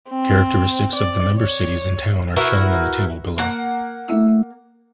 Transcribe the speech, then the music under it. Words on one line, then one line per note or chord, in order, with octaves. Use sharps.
Characteristics of the member cities and town are shown in the table below.
C4
D5
C#5
E4 F#4 A#4 B4
A#3 F#5